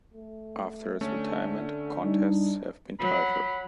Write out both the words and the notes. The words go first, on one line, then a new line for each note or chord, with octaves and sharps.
After his retirement, contests have been tighter.
A3
D3 A3 C#4
G3 D4 D#4
F#3 B5